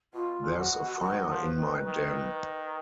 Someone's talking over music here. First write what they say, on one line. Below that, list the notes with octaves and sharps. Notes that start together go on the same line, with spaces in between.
There's a fire in my den.
B2 F4
A#2
F#4
B2
D#3 F#4
F3
B4
D#3
D#3